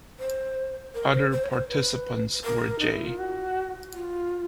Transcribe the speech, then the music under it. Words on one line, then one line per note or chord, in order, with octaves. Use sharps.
Other participants were J.
C5
A#4
C5
C5
C#5
C5
B4
A#4
D#4
E4
F4
F#4
F4